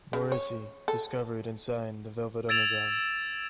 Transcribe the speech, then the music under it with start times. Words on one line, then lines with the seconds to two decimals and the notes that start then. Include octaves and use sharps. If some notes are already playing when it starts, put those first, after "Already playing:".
Morrissey discovered and signed the Velvet Underground.
0.13 C#3
0.32 C#5
0.88 A4
2.49 E6 G#6 A6 D7 E7 F7